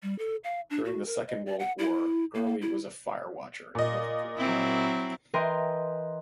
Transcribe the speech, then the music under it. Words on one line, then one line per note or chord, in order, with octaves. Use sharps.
During the Second World War, Gourley was a firewatcher in Liverpool.
G3
A4
F5
D4
F#4
A#4
D#5
D5
F#5
E4
A#3
E4
A#2 D#5
F#3 C4 E4
E3 A#4 B4 D#5 G5 C6